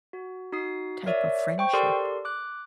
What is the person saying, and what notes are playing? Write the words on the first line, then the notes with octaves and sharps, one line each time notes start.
type of friendship.
F#4
D#4 F#4 D#6 C7
A#4 C#5 D5 E5
C5 G5 C#6
G4 A4 A#4 D5 C6
D6 F#6